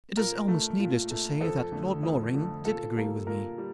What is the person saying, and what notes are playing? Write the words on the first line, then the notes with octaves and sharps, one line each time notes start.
It is almost needless to say that Lord Loring did agree with me.
A#2 A#4
A3
A#2
A3
F2 A4
D3 A3
F2
D3 A3
A#2 A4
G3 A#3
A#2 A#4
G3